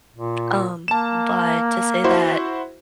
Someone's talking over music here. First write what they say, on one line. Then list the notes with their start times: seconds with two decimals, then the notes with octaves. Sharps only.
Um, but to say that
0.16 A#2
0.88 A#3 A5 E7
2.04 E4 F#4 C5